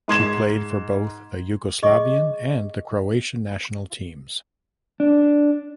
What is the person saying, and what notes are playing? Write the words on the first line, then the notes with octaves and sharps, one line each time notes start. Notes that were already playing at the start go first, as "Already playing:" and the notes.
She played for both the Yugoslavian and the Croatian national teams.
G#2 C6 G#6 E7
G#4 D#5 C#6 D6
D4